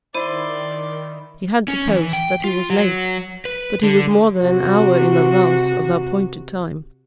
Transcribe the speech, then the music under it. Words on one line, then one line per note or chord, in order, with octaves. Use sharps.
He had supposed that he was late, but he was more than an hour in advance of the appointed time.
D#3 E4 C5 D5 C6 D#7
C#4
E3
G5
F4
F#3
B4
D3
C3 F#4